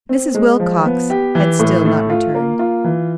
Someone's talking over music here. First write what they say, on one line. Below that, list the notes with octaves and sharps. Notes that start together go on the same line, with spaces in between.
Mrs. Wilcox had still not returned.
C4
G#3
F3
B3
G4
E3
A2
A3
F4
A#3
F4
E3